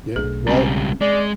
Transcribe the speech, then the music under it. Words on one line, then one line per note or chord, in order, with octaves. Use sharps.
Yeah, well,
B1 A3 D4 G#4
C#2 G3 C4 C#4 G#5
G#3 D5